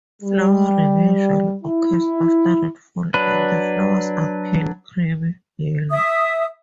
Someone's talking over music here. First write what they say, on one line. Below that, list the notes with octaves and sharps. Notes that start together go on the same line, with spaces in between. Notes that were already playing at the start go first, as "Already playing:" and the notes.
Flowering usually occurs after rainfall and the flowers are pale creamy yellow.
G3
E4
F#3 D4 B4 F#6
E5 D#6